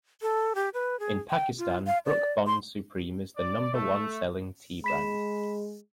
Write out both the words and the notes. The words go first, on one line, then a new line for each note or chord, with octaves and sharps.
In Pakistan, Brooke Bond Supreme is the number-one-selling tea brand.
A4
G4
B4
G#4
G5
F4
F5
D5
C6
D5
A3
G#3 B5 B6 E7